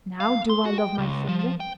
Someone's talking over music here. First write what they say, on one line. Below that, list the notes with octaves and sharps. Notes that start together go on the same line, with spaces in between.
Now do I love my finger?
F5
C6
F#4
G5
C#2
F3
G5